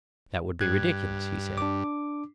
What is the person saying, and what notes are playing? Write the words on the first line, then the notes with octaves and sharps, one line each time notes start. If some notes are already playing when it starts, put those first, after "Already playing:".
That would be ridiculous, he said.
G2 F#6 G#6
D4 D6